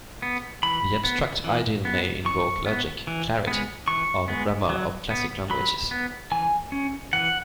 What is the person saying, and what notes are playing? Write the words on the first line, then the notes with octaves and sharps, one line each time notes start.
The abstract ideal may invoke logic, clarity, or the grammar of "classic" languages.
B3
E3 B5
B3
E3
B3
E3 C#6
B3
E3
G#3 B3
E3 C#6
G#3 B3
F#3
B3
F#3 B5
B3
E3 G#5
C#4
E3 F#5